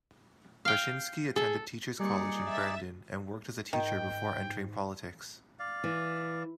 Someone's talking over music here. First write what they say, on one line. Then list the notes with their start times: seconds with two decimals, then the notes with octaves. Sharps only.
Bachynsky attended teacher's college in Brandon and worked as a teacher before entering politics.
0.65 F5 G5
1.36 G#4 A4
2.00 A#2 G3 D#4 G#4 D5 C#7
2.48 E5 A6
3.73 G#2 D#3 G5
5.59 D5 F5
5.84 E3